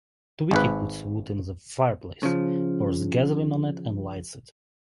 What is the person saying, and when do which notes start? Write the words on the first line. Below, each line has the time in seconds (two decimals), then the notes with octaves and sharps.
Tweety puts wood in the fireplace, pours gasoline on it and lights it.
0.51 G#1 G#2 B4
2.23 C#3 F3